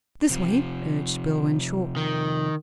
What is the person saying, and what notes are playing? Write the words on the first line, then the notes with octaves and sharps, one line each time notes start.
"This way," urged Bill Renshaw.
C3 F3
D#3